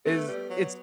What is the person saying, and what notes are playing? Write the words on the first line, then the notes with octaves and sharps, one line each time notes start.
Is it's
A3 B3
G3
F#3